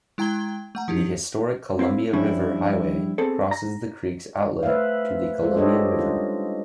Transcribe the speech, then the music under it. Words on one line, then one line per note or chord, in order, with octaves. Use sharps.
The Historic Columbia River Highway crosses the creek's outlet to the Columbia River.
G#3 E4 G5 A#5 G#6 G7
A3 F#5 A#5
F3 D#4 E4 G4
C4 E4 F5
F3 G3 C#4 D4 E4
B3 C4 G#4 A4
A#5
A3 B4 C5 E5 F5
G#3 F4 A4 C5
D4 G4 A4 C5 C#5 D#5
G3 C#4 D#4 F4